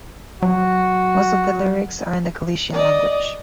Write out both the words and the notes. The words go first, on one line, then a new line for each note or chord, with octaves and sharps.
Most of their lyrics are in the Galician language.
F#3 F#4
D5 D#5